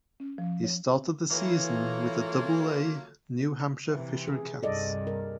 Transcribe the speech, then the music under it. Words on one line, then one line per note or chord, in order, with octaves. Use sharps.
He started the season with the Double-A New Hampshire Fisher Cats.
C#4
F3
C#5
E3 F#3 A3 A#3 F4 A4 C#5
C3 E3
G#4
C2 G2 A4 D5 D#5
A#4